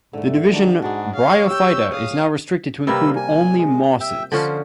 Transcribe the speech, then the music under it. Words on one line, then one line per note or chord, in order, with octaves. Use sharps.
The division Bryophyta is now restricted to include only mosses.
G#2 D3 A3
D#3 G3 D4 F#4
G#2 D4 F#4 G#4
C#5 F5
G4 E6 G6
G#4 F5 D#6
C3 G3 A#3 B4 E6
G#5
G#3
E5 G5
D3 F3 C#4 C5